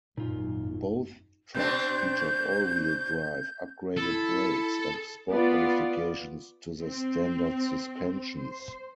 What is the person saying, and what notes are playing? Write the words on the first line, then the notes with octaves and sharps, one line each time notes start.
Both trucks featured all-wheel drive, upgraded brakes, and sport modifications to the standard suspensions.
G#1 F#2 A#2 F#3 D#4 F4
B2 C4 D4 G6
E4 A4
B3 F4 D5
C4
C5